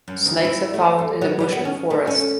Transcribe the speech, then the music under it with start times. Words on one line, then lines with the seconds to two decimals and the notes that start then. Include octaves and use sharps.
Snakes are found in the bush and forest.
0.08 F#2
0.26 D#2
0.45 E4
0.74 A3
0.99 E2
1.21 F#3
1.40 G3
1.52 B3
1.65 C#4
1.90 A3
2.07 C#4